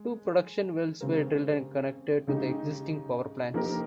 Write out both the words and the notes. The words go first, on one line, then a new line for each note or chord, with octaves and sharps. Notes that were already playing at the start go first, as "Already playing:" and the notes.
Two production wells were drilled and connected to the existing power plants.
Already playing: G#3
C#3 G#3 C4 G4 A#4
C#3 G#3 D#4 G4
F3 A#3 D#4 G4 A#4